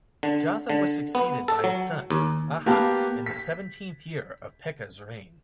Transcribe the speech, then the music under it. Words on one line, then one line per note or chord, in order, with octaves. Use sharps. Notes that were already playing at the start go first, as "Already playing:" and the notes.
Jotham was succeeded by his son, Ahaz in the seventeenth year of Pekah's reign.
D3
D3
B3
A4
F#3
D#2
A#3 B3 G4 F5 A5
B6